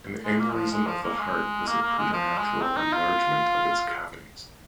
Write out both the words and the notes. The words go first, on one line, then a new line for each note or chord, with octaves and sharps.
An aneurysm of the heart is a preternatural enlargement of its cavities.
G#3
A#3
G#3
F3
G#3
F3
A#3
G#3
A#3
A#3
G#3
F3
G#3
C4
D#4
F4